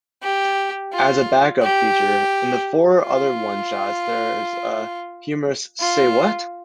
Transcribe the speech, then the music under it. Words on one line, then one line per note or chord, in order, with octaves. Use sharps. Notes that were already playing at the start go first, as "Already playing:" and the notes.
As a back-up feature, in the four other one-shots, there's a humorous Say What?
G4
F4
G4
F4
F4